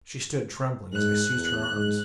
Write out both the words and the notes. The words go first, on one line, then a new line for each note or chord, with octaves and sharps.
She stood trembling as I seized her arms.
G#2 F#6
E2
G#2